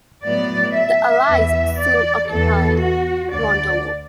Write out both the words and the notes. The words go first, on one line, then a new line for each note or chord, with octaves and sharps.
The allies soon occupied Brondolo.
A2 F#3 B3 D5
E5
E2 E3 B3
D5
E2 E3 B3 A4
F#4
D2 D3 D5